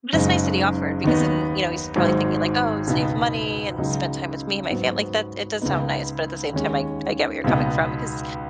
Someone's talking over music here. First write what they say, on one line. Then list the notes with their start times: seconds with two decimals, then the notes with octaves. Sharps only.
But it's nice that he offered because then, you know, he's probably thinking like, "Oh, save money and spend time with me and my family." like, that it does sound nice, but at the same time, I I get where you're coming from, because,
0.13 F#1 F#2 C#3 G#3 D#4
1.04 D#2 D#3 B3 D#4
1.96 G#1 G#2 F#3 D#4
2.87 C#2 B2 B3 D#4
3.78 C#2 C#3 F#3 D#4
4.71 G#2 F#3 B3
5.61 C#2 C#3 B3 D#4
6.53 D#2 D#3 G#3 C#4
7.44 C#2 B2 B3 D#4